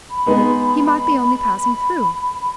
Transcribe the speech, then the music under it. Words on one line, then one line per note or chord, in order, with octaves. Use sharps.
He might be only passing through.
B5
G#3 B3 D#4